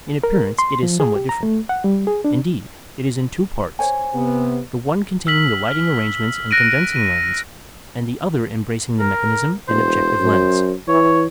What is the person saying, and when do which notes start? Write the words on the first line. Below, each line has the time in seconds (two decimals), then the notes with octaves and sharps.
In appearance it is somewhat different; indeed, it is in two parts, the one containing the lighting arrangements and condensing lens, and the other embracing the mechanism and objective lens.
0.24 A#4
0.59 C6
0.83 F3
1.00 G#4
1.16 G4
1.29 A#5
1.43 A3
1.69 F#5
1.84 G3
2.07 G#4
2.25 D4
3.79 C5 C#5 G#5
4.14 C3 B3
5.27 E6 F6 B6 F#7
5.68 F6
6.51 F#6 A#6 D7 D#7
6.96 D#7
9.00 A#4
9.68 E1 C5
10.20 F#2
10.88 E3 C#5